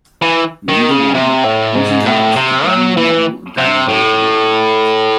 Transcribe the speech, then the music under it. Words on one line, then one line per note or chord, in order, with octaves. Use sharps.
Neither won, losing out to glamour model Danielle Lloyd.
E3
D#3
C#3
C3
A2
G#2
A2
C3
F#3
E3
C3
A2